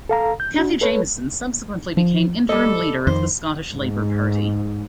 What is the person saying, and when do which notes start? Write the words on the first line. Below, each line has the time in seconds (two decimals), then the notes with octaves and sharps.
Cathy Jamieson subsequently became interim leader of the Scottish Labour Party.
0.09 A4 F5 A#5
0.40 G6
0.54 D4 F#4
0.81 A4 B4 C#5
1.97 F3
2.49 G3 A4 D#5
3.07 F2 D#3 C5
3.73 G#2